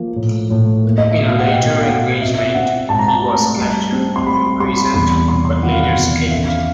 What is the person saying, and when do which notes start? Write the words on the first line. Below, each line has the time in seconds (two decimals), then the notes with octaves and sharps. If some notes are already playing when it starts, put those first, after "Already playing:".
In a later engagement, he was captured, imprisoned, but later escaped.
Already playing: F3 A#3
0.16 A2
0.50 A2
0.85 A#3
0.98 D#5
1.11 E5
1.18 B2
1.26 F5
1.39 F#5
1.52 B2 G5
1.78 F5
1.87 B2 F#5
2.21 C4 E5
2.38 E5
2.55 C4 F#5
2.89 G#2 A5
2.99 A#5
3.08 A5
3.24 A3
3.57 G3
3.92 C4
4.16 C6
4.27 G3 B5
4.60 G3 C6
4.77 B5
4.94 E2 B5
5.11 B5
5.28 C3 C6
5.45 C6
5.63 D#3 F#5
5.72 F5
5.83 F#5
5.97 E2
6.31 C#3 E5
6.48 F5